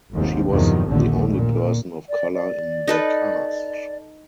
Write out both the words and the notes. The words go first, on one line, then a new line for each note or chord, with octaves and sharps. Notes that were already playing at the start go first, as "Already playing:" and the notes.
She was the only person of color in the cast.
G1 D#2 G#2 C3
E2 G2 C3 D#3 F3 F#3
A#1 D#2 D3 A3
A#2
D5
D5
D#4 A4 B4